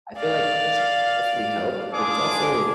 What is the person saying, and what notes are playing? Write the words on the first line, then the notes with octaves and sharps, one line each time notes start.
I feel, like, it's it's definitely helped, but it's also
D5 F5
D4 F4 G#4 G#5 D6